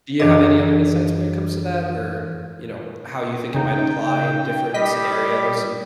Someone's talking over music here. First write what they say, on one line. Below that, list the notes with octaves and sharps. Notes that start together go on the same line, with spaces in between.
Do you have any other insights when it comes to that? Or, you know, how you think it might apply in different scenarios, and
F#2 E3 D4 G#4 D#5
C#3 D#4 G5
G3 D#5 B6